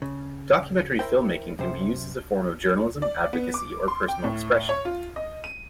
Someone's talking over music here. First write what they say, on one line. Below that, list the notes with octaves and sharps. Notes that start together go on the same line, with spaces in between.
Documentary filmmaking can be used as a form of journalism, advocacy, or personal expression.
C#3
E4 A#4 C5 G5
F#2 C3 C5
D5
B3
D6
C6
G5
A2
C#5
F4
D#5
D#7